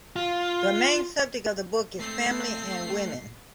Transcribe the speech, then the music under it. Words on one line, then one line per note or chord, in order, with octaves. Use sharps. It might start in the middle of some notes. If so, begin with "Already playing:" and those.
The main subject of the book is family and women.
F4
A3 C4 C7